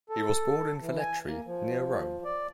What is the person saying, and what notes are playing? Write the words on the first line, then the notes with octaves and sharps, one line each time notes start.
He was born in Velletri, near Rome.
A4
E3
G#5
A#3
F3
D5